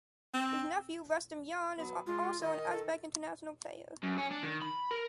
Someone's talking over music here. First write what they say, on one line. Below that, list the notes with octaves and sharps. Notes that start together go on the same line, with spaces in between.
His nephew, Rustamjon, is also an Uzbek international player.
C4
F#3 B3
G#3 F4
D#3 D#5
A4
F#2
C#4
D4
D#3
B5
A#4